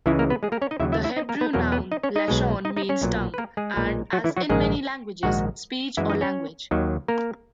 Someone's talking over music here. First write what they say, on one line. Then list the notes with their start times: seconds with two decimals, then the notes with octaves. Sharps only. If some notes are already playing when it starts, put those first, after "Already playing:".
The Hebrew noun "lashon" means "tongue", and as in many languages, "speech" or "language".
0.06 C#2 C#3 E3 G#3 E4
0.19 A#3 A#4
0.30 B3 B4
0.43 G#3 G#4
0.52 A#3 A#4
0.62 C#4 C#5
0.71 D#4 D#5
0.80 D#2 C#3 F#3 E4 E5
0.92 E4 E5
1.04 E4 E5
1.17 D#4 D#5
1.29 A#3 A#4
1.41 B3 B4
1.53 E2 B2 F#3 A#3 A#4
1.72 B3 B4
1.92 D#4 D#5
2.03 C#4 C#5
2.16 D#4 D#5
2.28 B1 B2 G#3
2.65 D#4 D#5
2.76 D#4 D#5
2.89 C#4 C#5
3.02 B1 A#2 F#3
3.34 B4
3.38 A#3 A#4
3.57 G#3 G#4
3.76 B1 A#2 G#3
4.13 F#3 F#4
4.24 E3 E4
4.37 F#3 F#4
4.50 A#1 G#2 D#3 G#3 G#4
5.23 A#1 G#2 D#3 G#3 F#4 F#5
5.97 F#2 E3 G#3 E4 E5
6.10 D#4 D#5
6.21 C#4 C#5
6.71 D#2 D#3 F#3
7.08 A#3 A#4